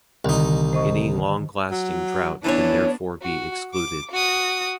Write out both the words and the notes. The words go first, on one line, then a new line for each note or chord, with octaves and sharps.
Any long-lasting drought can therefore be excluded.
C2 D3 D#3 D#4
C5 D#5 C#6
F#3
E3 B3 D4 A4 C5 C#5
F#4
D6
F#4 D#6